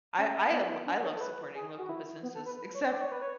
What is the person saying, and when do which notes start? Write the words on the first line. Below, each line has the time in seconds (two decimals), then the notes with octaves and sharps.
I I l I love supporting local businesses, except
0.18 C#4
0.52 B3
0.86 D4
1.03 C#5
1.15 A4
1.21 B4
1.55 G#4
1.78 F#4
1.89 E4
2.23 B3
2.35 A4
2.46 B4
2.57 B4
2.74 C#5
2.91 D5
3.01 C#5
3.12 B4
3.22 C#5